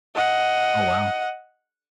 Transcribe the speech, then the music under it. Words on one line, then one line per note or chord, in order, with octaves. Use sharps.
Oh, wow.
D#5 F#5